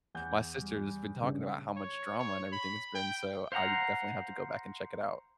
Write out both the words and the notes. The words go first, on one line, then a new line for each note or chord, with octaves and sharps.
My sister has been talking about how much drama and everything it's been, so I definitely have to go back and check it out.
E2 F#5 G6
G3
G2 C#3
C#5
C#5
B5
G5
C5 F5 F#5 A#5